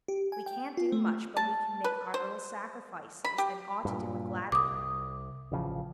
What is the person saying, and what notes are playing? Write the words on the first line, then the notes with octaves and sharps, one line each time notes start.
We can't do much, but we can make our little sacrifices, and ought to do it gladly.
G4
G#5
G5
F4
A3
A5
B4
C5
B5
G4
G2 A#2
C2 D6 D#6
A1 C#3 F3